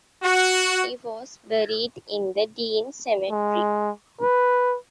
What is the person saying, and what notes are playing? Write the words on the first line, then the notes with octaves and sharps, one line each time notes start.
He was buried in the Dean Cemetery.
F#4
G#3
B4